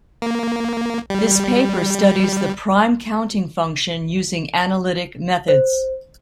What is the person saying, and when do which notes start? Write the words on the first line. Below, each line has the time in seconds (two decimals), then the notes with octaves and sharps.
This paper studies the prime-counting function using analytic methods.
0.22 A#3
1.10 G3
5.48 C5